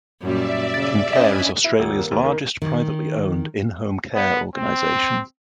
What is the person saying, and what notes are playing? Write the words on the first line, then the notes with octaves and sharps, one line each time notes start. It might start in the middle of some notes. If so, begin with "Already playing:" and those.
Kincare is Australia's largest, privately owned, in-home care organisation.
F#2 A#2 G3 D5 E5
C#3 A6
C#4 D4 C5 D#5 E5 G#5 B5 G#6
E4
D#1
A#3
D#2
D#3
D#3
B3
C4